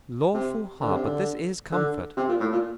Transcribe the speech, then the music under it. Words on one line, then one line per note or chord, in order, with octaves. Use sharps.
Lawful heart, but this is comfort.
C3
D3
C3
D3
D3
C3
A#2
A2
A#2